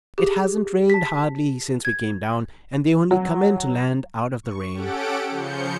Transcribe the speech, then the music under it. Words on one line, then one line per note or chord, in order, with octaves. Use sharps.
"It hasn't rained hardly since we came down, and they only come in to land out of the rain."
G4 G#4
A5 B6
G#6
F#3
C#6
C#4 G4 A4 F#5 D7
C#3 F3 G6 C#7